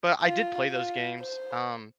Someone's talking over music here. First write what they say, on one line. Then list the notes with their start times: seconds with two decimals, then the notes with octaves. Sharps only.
but I did play those games, um,
0.23 F4
0.72 F4
1.20 C5